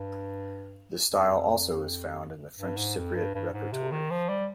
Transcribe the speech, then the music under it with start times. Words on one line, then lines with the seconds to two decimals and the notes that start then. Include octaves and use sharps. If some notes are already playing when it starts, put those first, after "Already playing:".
The style also is found in the French Cypriot repertory.
Already playing: G2
1.07 F2
2.58 G2
2.77 G#2
2.97 F2
3.16 G2
3.35 G2
3.53 G#2
3.72 C3
3.92 D#3
4.11 F3
4.29 G3